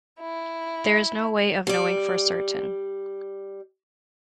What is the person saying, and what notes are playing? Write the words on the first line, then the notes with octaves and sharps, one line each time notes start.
There is no way of knowing for certain.
E4
G3 D5